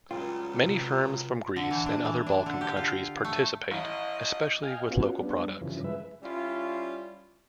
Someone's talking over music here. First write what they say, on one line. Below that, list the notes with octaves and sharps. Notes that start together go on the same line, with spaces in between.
Many firms from Greece and other Balkan countries participate, especially with local products.
C#2 F#3 G3 F4 F5 G5
C3 C5
D3
E3
D4
E3
D4
D3
G4
F4
A3
A1 D#5
D#5 F5 G5 G#5 F6
B3 C#4 F4 F#4
G3 B3 D4
G2 C#3 E3 F3
G#3 B4 E5
G3 C#4 E4 F4